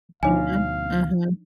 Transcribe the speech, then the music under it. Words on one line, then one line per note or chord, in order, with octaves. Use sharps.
Mhm. Mhm.
D2 B2 F3 D4 D#4 C#5 F5 G#5